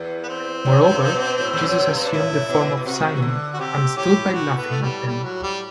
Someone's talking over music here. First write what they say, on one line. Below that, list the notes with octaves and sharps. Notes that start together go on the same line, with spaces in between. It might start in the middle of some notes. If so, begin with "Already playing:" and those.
Moreover, Jesus assumed the form of Simon, and stood by laughing at them.
Already playing: E2
B3
C4
F#2
G2
B2
A2
E2
F#2
G2
C4
D4
A2 E4
B2
B2
C3 F#4
E3
D3
F#4
C3 G4
A2 G4
F#4
B3
A3
G3
G3
F#3
G3